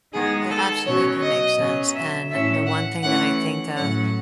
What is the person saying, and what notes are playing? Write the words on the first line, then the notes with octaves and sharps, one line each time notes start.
It absolutely makes sense, and the one thing that I think of
D#3 G#3 B3 G#4
A4
B2 F#3 C#4 C#5
D#5
B2 F#3 C#4
E5
A2 E3 A3 C#4 E5
F#5
E3 A3 C#4 F#5
A2 F#3 A3 C#4 F#5